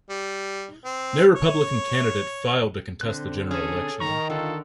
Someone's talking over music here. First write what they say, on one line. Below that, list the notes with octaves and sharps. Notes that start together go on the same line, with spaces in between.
No Republican candidate filed to contest the general election.
G3
C4
C#5
D3 C4 F#6
C#4 G#4 A4
D#3 A#5 C#6
D3 F4 A4